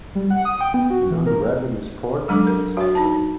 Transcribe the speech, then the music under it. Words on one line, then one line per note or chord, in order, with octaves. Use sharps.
Non-revenue sports would suffer.
G3
F#5
D#6
G5
B3
F#4
E3
A#4
F#3 G#3 D4 A4 D6
A#4
F#4 C#5
D#4 A5